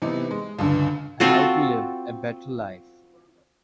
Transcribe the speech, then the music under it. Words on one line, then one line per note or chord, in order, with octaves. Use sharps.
How to live a better life.
C3 E3 B3 D#4
G#3
C#2 G2 D3
C4 F4 F#4 A4